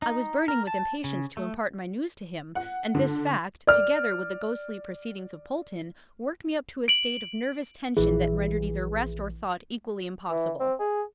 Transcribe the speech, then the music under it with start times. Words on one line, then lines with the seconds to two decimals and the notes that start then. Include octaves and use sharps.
I was burning with impatience to impart my news to him, and this fact, together with the ghostly proceedings of Polton, worked me up to a state of nervous tension that rendered either rest or thought equally impossible.
0.02 D#4
0.48 A#4
0.67 A5
1.04 C#3
1.37 A3
2.55 F#5
2.95 D3
3.67 D5 F6
6.88 D7 F#7
7.97 A#1 E3 G#4
10.30 E3
10.60 C4
10.80 G#4